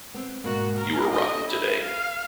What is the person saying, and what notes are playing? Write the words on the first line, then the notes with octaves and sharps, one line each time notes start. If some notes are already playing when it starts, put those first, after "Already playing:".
You were rotten today.
B3 C4
G#2 B2 A#3 F#4
A#4
D4 G4 A4 D#5
E4
F5